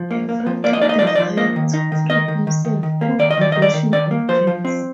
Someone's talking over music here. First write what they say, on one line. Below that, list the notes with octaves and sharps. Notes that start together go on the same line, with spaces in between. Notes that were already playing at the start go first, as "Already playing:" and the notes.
A frantic desire to free himself took possession of James.
Already playing: F3
A#3
A#3
F3
A#3 D5
D#5
D#4 D5
D#5
F3 D5
D#5
D5
F3
A#3 D#5
D#3
D#4
D#3
D#3 D#5
D#3
D#3
D#3
D#3
A#3
D#3 D5
D#5
D#3 D5
D#3 D#5
D5
D#3
D#3 D5
A#3
F3 C5
F3
C4